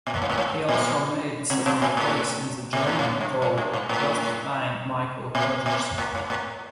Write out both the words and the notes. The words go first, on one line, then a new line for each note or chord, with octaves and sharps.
He also made a second place in the Germany Tour, just behind Michael Rogers.
A#2
A2
G#2
A2
G#2
A#2
C3
B2
A#2
A2
A#2
A2
G#2
G2
G#2
G2
G#2
A2
A#2
A#2
A2
G#2
A2